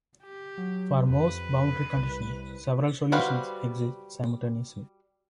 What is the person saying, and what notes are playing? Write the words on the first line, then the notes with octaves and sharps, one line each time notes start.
For most boundary conditions several solutions exist simultaneously.
G4
F#3
F2 B4
C2
G3 F#4 B4 C5 F5